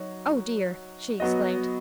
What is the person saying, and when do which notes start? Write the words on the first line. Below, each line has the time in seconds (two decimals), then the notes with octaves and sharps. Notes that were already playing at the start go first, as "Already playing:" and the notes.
"Oh, dear!" she exclaimed.
Already playing: F#3 D#4 F#4 C#5
1.20 F#3 B3 F#4 D#5